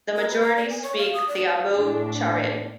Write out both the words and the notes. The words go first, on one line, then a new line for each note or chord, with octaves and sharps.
The majority speak the Abou Charid.
A#4
B4
A#5
D5
G#5
C#5
F5
D#6
D5
A2 D4